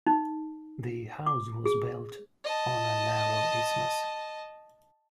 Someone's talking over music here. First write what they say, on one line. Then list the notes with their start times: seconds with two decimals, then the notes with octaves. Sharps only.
The house was built on a narrow isthmus.
0.07 D#4
1.26 D6
1.65 G#4
2.44 D#5 A5